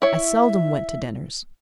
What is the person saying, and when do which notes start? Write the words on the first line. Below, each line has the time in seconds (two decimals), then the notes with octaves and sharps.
I seldom went to dinners.
0.02 E4 C#5 E5